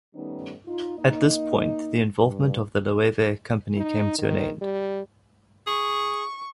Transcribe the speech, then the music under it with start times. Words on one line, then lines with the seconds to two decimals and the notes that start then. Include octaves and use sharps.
At this point the involvement of the Loewe company came to an end.
0.15 D#3 G3 A3 B3 C#4 D#4
0.67 D#4 F4
0.99 A#3 D#4 D#5
2.22 G2
3.77 D#4
4.18 D#3
4.61 G3
5.67 G#4 C#6